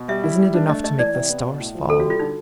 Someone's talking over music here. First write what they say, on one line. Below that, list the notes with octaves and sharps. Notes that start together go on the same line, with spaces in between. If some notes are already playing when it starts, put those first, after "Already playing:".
Isn't it enough to make the stars fall!
Already playing: B2
G3 E5
E4
G3
D4
A3 D#5
A3 D#5
E3 D5
C3
B3
B2
A2
F3
C3 A4
F#4
G3 F4
D3 D#4